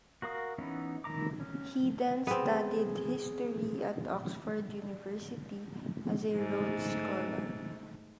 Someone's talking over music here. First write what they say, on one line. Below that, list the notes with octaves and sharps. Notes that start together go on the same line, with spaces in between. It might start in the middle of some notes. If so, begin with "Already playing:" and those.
He then studied history at Oxford University as a Rhodes Scholar.
F#4 A#4 F5 D#6
E3 B3 C#4 D#4 E4
D#3 E4 A#5 D6
C#4
B3 C4 G#4
G#2 A3